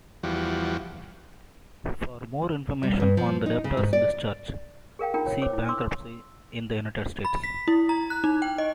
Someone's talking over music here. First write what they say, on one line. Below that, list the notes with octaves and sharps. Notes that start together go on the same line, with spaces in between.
For more information on the debtor's discharge, see Bankruptcy in the United States.
E2 F3 G3 F#4
G3
G2
F3
D#4
C#3
G#2
D5
G#4 A#4 F5 G5
D4 D#4 F4 A#4 G5 A#5
C#5
C5 C#5 D6
E4
D4 C6 D6 E6
B5
B6
E4
A#5
F#6
D#4
G5
D#5